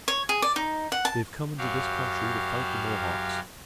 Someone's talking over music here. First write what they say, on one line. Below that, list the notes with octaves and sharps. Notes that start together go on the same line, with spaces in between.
They have come into this country to fight the Mohawks.
C#5
G#4
D5
D#4
F#5
A5
F#2 F#3 F#4 G4 F5